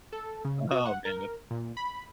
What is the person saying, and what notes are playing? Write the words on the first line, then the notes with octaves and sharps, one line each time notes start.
Oh, man.
A4
C#3
F#4
F#5
A#4
A#2
B5